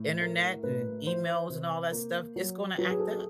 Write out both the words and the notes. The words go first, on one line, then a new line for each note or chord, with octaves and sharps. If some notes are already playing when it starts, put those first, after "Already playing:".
Internet and emails and all that stuff, it's gonna act up.
Already playing: A2
A3 A#4
A2 B4
E3 C5
C3
A#3
F#3
F#3 B4
G#4
A4